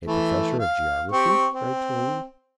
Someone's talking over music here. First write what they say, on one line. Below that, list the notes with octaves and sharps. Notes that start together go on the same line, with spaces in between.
"A professor of geography!" cried Toline.
E3 A3
F5
C4 G4 C#6
C4